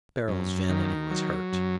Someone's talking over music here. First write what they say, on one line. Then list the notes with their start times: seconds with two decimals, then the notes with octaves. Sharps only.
Beryl's vanity was hurt.
0.28 F#2
0.69 D#3
1.10 F#3
1.52 F#2